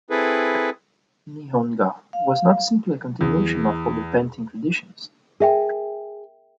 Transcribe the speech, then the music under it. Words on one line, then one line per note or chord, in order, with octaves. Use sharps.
"Nihonga" was not simply a continuation of older painting traditions.
C4 E4 G#4 A4 B4
F5
E2
G#4 A#4 E5 G5